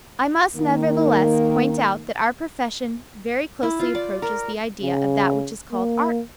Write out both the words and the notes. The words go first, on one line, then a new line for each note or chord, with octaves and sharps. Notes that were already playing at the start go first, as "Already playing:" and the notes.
I must nevertheless point out that our profession very closely approaches the idea of that which is called art.
D#3 A#3
E4
F4
D5
A#4
C#3
A#3